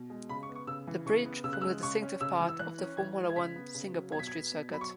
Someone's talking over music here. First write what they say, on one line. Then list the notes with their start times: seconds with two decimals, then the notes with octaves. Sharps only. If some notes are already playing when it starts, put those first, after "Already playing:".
The bridge forms a distinctive part of the Formula One Singapore Street Circuit.
Already playing: B2
0.10 G#3
0.29 C#3 B5
0.43 C#6
0.49 B3
0.55 C#6
0.67 C#3 E6
0.87 E3
1.06 C#3 C#6
1.26 B3
1.44 C#3 E6
1.53 F#6
1.62 G#3 E6
1.83 C#3 C#6
2.02 C#4
2.21 C#3 E6
2.40 E3
2.49 E6
2.59 E3 F#6
2.79 C#4
2.97 E3 G#6
3.17 G#3
3.29 G#6
3.36 C#3 B6
3.56 B3
3.75 C#3
3.93 F#3
4.12 B2 G#6
4.19 B6
4.27 G#6
4.32 B3
4.51 B2
4.70 F#3 B5
4.81 C#6